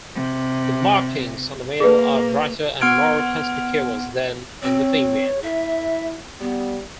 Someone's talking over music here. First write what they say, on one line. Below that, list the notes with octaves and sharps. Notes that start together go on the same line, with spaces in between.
The markings on the male are brighter and more conspicuous than in the female.
C3
A#3 G#4 B4
B3 F#5 C6 F6 G#6 D7
C4 C#5
E4 E5
G3 B3